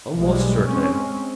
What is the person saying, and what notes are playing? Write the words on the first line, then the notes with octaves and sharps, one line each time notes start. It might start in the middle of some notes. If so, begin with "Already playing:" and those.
Almost certain.
B1 G3 G#3
G#3 C4 C#4